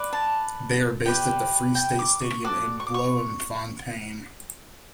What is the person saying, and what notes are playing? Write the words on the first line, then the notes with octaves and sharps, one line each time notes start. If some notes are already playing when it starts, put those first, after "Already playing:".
They are based at the Free State Stadium in Bloemfontein.
Already playing: B4 D5
A5
G4 B4 D5 G5
G5
D6
C#6
F#4 A4 D5 D6
C#6
D6
C#6